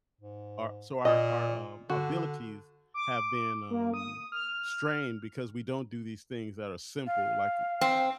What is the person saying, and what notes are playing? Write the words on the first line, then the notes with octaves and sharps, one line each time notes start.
our so, our our, um, abilities have been, um, strained because we don't do these things that are simple, like
G#2
A#2 D#5
D3 F#4
D6
A#3
D#6
F6
F5
C4